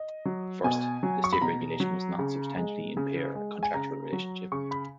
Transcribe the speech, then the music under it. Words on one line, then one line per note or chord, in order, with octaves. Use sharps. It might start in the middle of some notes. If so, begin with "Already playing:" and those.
First, the state regulation must not substantially impair a contractual relationship.
Already playing: D#5
F#3
B2 G#5
F#3
C#6
B5
B2 A#5
F#3
C#3
G#3
C#3
G#3
G#5
C#3 A#5
F#3
C#3 C#6
B5